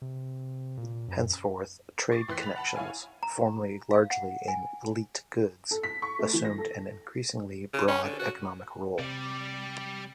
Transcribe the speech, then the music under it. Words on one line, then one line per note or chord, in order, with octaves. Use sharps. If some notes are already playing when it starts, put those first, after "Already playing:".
Henceforth trade connections, formerly largely in elite goods, assumed an increasingly broad economic role.
C3
A#2
F#2
C#6 D6 A6 C7
A2 E3 C6 F#6 B6
B5 A6 F7
F#5 A5 B5
E4 C#5 F5 G#5
A#5
F5
F#5
G#5
A4
B6
C#6
A3
E3
A#6
A4
C#3
C#4
D3
F#4
C3 G3 D5